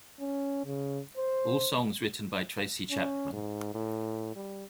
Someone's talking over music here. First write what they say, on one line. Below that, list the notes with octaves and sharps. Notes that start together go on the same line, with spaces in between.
All songs written by Tracy Chapman.
C#4
C#3
C5
C#4
G#2
A2
G3